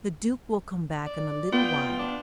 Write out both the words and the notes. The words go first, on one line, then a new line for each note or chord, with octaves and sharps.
The duke will come back in a little while.
D5
B3 F4 G5
D4